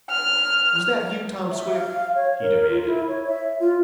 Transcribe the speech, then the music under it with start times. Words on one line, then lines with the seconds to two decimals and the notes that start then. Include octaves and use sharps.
"Was that you, Tom Swift?" he demanded.
0.10 F6
1.51 E5
1.73 F5
2.16 C#5
2.41 A#4
2.70 F4
2.86 E4
3.08 C#5
3.27 E5
3.60 F4